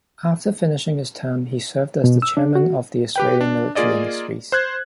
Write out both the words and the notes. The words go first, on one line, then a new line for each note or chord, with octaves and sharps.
After finishing his term, he served as the Chairman of the Israeli Military Industries.
B2
E6
D4
F#4
G4 B4 G5
D4
A#3 F4 G#4 D5 D#5
C5 F#6 G#6